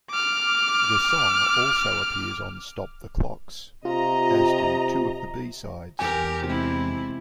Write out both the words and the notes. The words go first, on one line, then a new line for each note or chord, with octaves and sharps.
The song also appears on "Stop the Clocks", as do two of the B-sides.
D6 F6
C3 F4 D#5 A#5
E2 G4 A#4 G#5
C3 G#3 E4